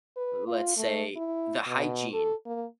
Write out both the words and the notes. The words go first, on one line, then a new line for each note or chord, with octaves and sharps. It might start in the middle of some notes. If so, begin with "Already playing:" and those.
Let's say the hygiene-
B4
F4
A3
E4
B2
A4
A#3